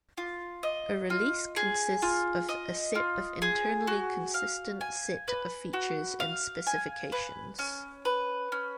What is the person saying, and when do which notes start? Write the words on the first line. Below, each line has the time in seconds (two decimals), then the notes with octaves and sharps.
A release consists of a set of internally consistent set of features and specifications.
0.18 F4
0.63 D#5
1.10 F4
1.56 G#4
2.02 F4
2.49 D#5
2.95 F4
3.42 G#4
3.87 F#4
4.34 F5
4.81 G#5
5.28 B4
5.73 F#4
6.20 F5
6.67 G#5
7.12 B4
7.59 C#4
8.05 B4
8.52 C#4